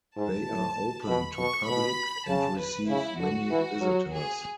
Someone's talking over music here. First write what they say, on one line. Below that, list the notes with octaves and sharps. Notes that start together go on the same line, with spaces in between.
They are open to public and receive many visitors.
G#2 A5
A2
B2 B5
B2 C#6
B2 B5
C#3 A5
B4
C#3 E4
D3 F#4
E3
F#3
G#4